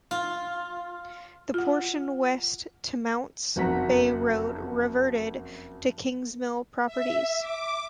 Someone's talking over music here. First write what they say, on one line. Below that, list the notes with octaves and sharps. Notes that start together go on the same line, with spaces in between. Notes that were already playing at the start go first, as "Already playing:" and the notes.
The portion west to Mounts Bay Road reverted to Kingsmill Properties.
F4
F4 F#5
F#1 F2 F#4 F#5 A#5 B6
E5
D6